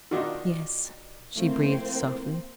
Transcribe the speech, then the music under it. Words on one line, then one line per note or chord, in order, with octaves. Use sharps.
"Yes," she breathed softly.
B2 D#3 D4 D#4 F4 F#4 D5
F3 A3 A#3 C4 E4 C5